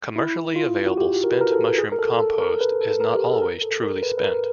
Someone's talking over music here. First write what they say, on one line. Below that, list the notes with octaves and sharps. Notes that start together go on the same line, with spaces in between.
Commercially available 'spent' mushroom compost is not always truly spent.
E4
F4
F#4
G4
A#4
B4
A#4
A4
G#4
A#4
A4
A4
A#4
B4
A4
A#4
G4
G#4
A4
A#4
A4
A#4
B4
B4
A#4